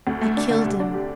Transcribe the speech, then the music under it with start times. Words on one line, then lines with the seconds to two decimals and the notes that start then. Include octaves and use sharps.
I killed him.
0.07 D2
0.21 A3
0.37 D4
0.50 D3
0.65 C3
0.80 D4
0.94 G4